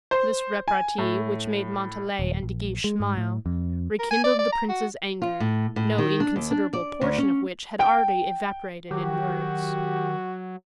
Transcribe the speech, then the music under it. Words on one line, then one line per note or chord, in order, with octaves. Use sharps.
This repartee, which made Montalais and De Guiche smile, rekindled the prince's anger, no inconsiderable portion of which had already evaporated in words.
C5
G#5
A2
D#1
A#1
G#3
G#2
A2
F2
A#4
G#5
D5
D5
A#5
F#4
F4
A2
A2
D#3
D4
D#2
D4
D5
D2
C#4
G5
D#3 F#3 F#4 G4